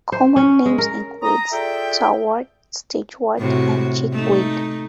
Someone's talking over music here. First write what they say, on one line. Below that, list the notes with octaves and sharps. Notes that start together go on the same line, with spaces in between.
Common names include starwort, stitchwort and chickweed.
C5
C#4
G#3
A#4
A#5 D#6
F4 G#4 A4 D5 E5 G5
A2 C3 F#4
A3 D#4